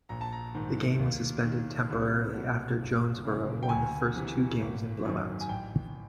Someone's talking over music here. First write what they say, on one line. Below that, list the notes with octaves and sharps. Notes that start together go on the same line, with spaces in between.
The game was suspended temporarily after Jonesboro won the first two games in blowouts.
A#1 A#5
A5
A#5
G#2 D#3
D#2
D#3
C2
B2
G1
F#2 C#3
G5
D2 G#5
C3 E3
G#1
F#2 D#3
G#5
A1 G5